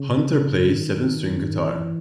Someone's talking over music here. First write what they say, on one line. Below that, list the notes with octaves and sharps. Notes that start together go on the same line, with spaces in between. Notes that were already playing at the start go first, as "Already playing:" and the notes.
Hunter plays seven-string guitar.
Already playing: C#3
D#3
E3